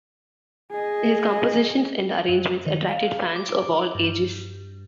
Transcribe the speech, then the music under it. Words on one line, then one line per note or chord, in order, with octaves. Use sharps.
His compositions and arrangements attracted fans of all ages.
G#4 D#5
F#2
D#3
F5
D6
G2